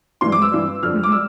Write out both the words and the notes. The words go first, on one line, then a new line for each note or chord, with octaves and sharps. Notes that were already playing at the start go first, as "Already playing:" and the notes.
Mhm, mhm.
G2 E3 G3 C6
D6
E6
G2 E3 G3
F2 D3 G3 F6
D6
G3 E6